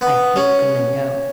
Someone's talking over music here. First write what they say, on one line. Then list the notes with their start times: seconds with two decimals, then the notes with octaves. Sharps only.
'I hate the lingo.
0.01 B3
0.36 C#4